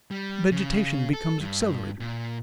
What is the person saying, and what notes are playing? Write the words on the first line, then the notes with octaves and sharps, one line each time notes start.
Vegetation becomes accelerated.
G3
C#3
A4
G2
A#2